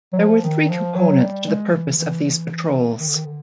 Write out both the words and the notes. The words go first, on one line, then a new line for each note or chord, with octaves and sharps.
There were three components to the purpose of these patrols.
F#3
F3
D#3
F3
F#3
G3
G#3
E3
E3
E3
D#3
D3
D#3
D3